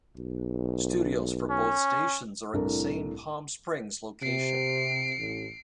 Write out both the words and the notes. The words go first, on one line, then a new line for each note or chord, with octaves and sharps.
Studios for both stations are in the same Palm Springs location.
B1
C#4
C2 A2 A3 D4 A#4
C3 C7 D7
A1